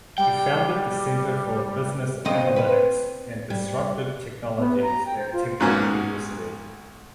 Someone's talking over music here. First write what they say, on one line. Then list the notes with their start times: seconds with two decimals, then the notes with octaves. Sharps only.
He founded the Center for Business Analytics and Disruptive Technologies at Temple University.
0.18 G3 G5
2.25 C#3 C4 D#5
2.56 B4
3.50 G3
4.58 B3
4.82 A#5
5.06 G5
5.19 C5
5.32 F4
5.60 B1 G#2 A#3 C#4 F#4